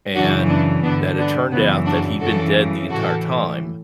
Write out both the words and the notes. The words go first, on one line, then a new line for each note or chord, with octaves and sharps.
And that it turned out that he'd been dead the entire time,
F#2 C#3 E3 D4 F#4
B3 D4
G2 D3 B3 D4
B3 D4
F#2 C#3 E3 B3
D4 F#4
F#2 C#3 E3 F#4 A4
A2 E3 F#4 A4